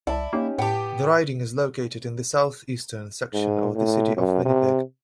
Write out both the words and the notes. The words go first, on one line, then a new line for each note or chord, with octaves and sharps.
The riding is located in the southeastern section of the City of Winnipeg.
C2 E4 D5 A5
A#3 C#4 D#4 G4
A2 B3 G4 G5 A5
G#2
A2
F#2
C3